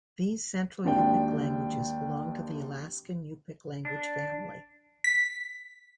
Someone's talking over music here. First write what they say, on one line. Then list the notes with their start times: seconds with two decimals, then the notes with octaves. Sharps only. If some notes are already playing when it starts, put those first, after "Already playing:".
These Central Yupik languages belong to the Alaskan Yupik language family.
0.84 G#1 D#2 D4 G5
3.85 D4
5.04 B6